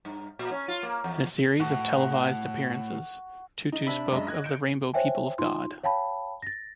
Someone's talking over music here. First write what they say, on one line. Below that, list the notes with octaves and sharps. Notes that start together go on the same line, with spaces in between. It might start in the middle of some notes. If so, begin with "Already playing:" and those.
In a series of televised appearances, Tutu spoke of the "Rainbow People of God".
G2
A#2
C#4
F4
A#3
E2
A2 F#4
D#4
C3 D4 E5 B5
F#2 G#3 D#5
D#5 F#6 G#6 A#6
G6 C#7 D7
C5 C#5 E5 G5 G#5
D#4 F4 C6
C#5 F5 G5 A5 B5
A6 A#6